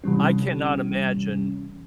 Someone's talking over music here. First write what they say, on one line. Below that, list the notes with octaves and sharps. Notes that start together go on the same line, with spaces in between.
I cannot imagine
C3 E3 G3 C#4